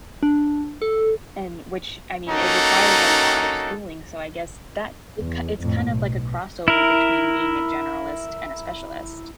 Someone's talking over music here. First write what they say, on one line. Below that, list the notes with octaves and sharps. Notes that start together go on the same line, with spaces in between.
And which, I mean, it requires a lot of schooling, so I guess that it ki it's kind of like a crossover between being a generalist and a specialist.
D4
A4
A#3 C#4 D#4 F#4 A4
E2
F2 A2
B1
E4 A#4